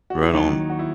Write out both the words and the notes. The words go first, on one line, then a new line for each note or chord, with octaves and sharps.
Right on.
F#4
E4
D#2 D#3 F#3 D#4
F#4
E4